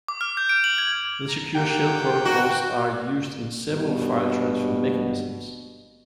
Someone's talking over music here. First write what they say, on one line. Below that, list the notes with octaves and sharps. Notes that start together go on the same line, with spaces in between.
The Secure Shell protocols are used in several file transfer mechanisms.
D6
F6
G6
D7
F#7
G#6
A#5
A#3 G4 F#5 G5
F#4
F#4
G2 B2